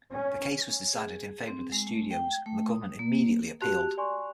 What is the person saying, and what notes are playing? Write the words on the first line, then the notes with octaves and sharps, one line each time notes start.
The case was decided in favor of the studios, and the government immediately appealed.
C#4
G#5
G#4
C4
G#3
A3
G5
A3
D#6
A#3
F#4 G4 A5 F#6 F7
D5 G#5 C6 C#6